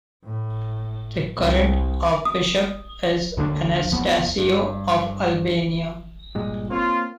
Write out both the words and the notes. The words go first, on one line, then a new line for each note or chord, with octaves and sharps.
The current Archbishop is Anastasios of Albania.
A2
C2
D#6
D#2 D3 F3 D4
D#2 F3 B3
G2
G2 A#2 G#3
A#3 C4 F4 C#5